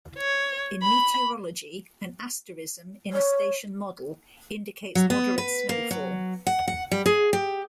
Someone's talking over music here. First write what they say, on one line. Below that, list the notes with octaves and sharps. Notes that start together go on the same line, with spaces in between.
In meteorology, an asterism in a station model indicates moderate snowfall.
C#5
B5
C#5
F#3
B3
B4
A#3
F#3
F#5
F#5
G3
G#4
G4